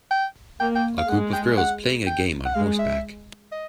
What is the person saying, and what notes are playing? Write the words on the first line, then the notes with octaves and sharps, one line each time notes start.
A group of girls playing a game on horseback.
G5
A#3 G5
G5
F5
G#3 F#5
G5
F#5
G5
F#5
G#3 F5
E5
D#5